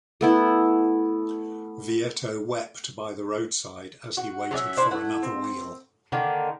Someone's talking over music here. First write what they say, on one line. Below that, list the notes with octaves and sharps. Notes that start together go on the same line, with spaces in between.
Vietto wept by the roadside as he waited for another wheel.
A3 B3 E4
F#4
F#3 C#4 D5 E5
D4 E4 C5
A3 E4 F#5
C4
D3 D#3 A#3